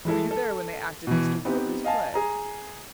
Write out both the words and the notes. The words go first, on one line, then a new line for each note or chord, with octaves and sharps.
Were you there when they acted Mr. Wortley's play?
E3 G#3 E4 A4
A4
B2 E3
B3 C4 D#4 G4
D#5 F5 G#5 A5
G#4 A#5